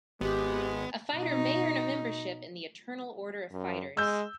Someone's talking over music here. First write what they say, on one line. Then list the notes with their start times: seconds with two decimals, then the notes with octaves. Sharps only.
A fighter may earn a membership in the Eternal Order of Fighters.
0.21 G#1 G#3 B3 G4
1.13 B2 D#4
3.52 F#2
3.97 G#3 E6 G6